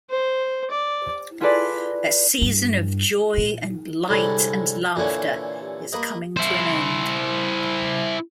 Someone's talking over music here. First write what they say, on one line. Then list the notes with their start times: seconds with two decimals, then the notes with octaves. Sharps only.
A season of joy and light and laughter is coming to an end.
0.10 C5
0.71 D5
1.40 E4 F4 G#4 A4 B4 D5
2.42 G2
3.37 A#2
4.09 C2 G#2 D3 C#4 B5
4.96 A#2 D3 E3 C#4
5.93 A#3 B4 D#5
6.37 E4 C5